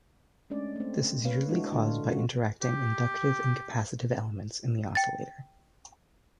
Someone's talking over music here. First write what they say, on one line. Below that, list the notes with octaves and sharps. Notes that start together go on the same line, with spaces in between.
This is usually caused by interacting inductive and capacitive elements in the oscillator.
G#3 A3 C#4 D4 D5
A3 C4
A#3 B4 C#5 F5
G#3 D4 E4 F#4
D3 D4 F4
G#3 C#4 F4 F#4
G4
G5 A6